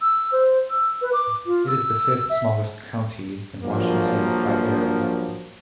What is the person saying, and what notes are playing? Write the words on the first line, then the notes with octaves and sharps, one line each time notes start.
It is the fifth-smallest county in Washington by area.
E6
C5
E6
B4
D6
F4
E6
E5
A#1 G2 A#2 F3 F#3 A#3